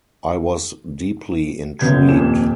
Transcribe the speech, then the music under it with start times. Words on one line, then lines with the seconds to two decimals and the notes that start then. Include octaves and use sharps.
I was deeply intrigued.
1.79 F#1 C#3 B3 G6 G#6
2.07 D#1 F2 A#2 E7